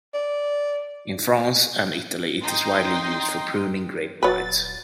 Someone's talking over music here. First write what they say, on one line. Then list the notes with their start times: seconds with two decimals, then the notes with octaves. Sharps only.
In France and Italy it is widely used for pruning grape vines.
0.14 D5
2.42 D#4 G5 C6
4.23 D#1 F#3 B4 A6